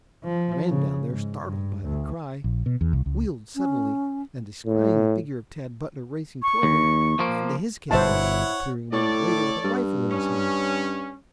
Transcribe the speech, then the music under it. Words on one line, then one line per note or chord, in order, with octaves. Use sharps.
The man down there, startled by the cry, wheeled suddenly and descrying the figure of Tad Butler racing toward him, ran to his cabin, appearing a moment later with a rifle in his hands.
F3
C#3
G#2
G2
D2
A#1
B2
E2
C2
C#2
C#4
A2
C#6
D#2
F3 A#3
G1 B2 E4 C5 C#5 E5 F#5 A5
A2 A4 C#5 D5
G2
C#4